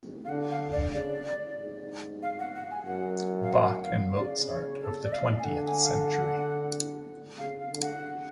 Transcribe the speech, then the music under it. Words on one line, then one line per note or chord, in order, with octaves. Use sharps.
Bach and Mozart of the twentieth century.
F5
D3 F#5
F5
D5
C#3 D5
G#2
F5
F#5
F#5
G#5
F#2 F#5
F5
F#5
F5
C#3 D5
C#5
A4
D5
F5
G#5
D3 F#5
G#5
F5
F#5
F#5
C#3 F5
F5
D3
F#5